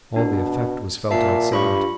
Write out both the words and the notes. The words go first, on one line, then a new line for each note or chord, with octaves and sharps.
All the effect was felt outside.
B2 D4
A#2 E5 A5 C7
G2 F4 B5 C#6